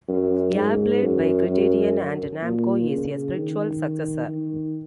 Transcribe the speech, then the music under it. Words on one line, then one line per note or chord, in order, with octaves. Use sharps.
Airblade by Criterion and Namco is a spiritual successor.
F#2
G#2
F#2
F#2
A#2
C#3
D#3
D#3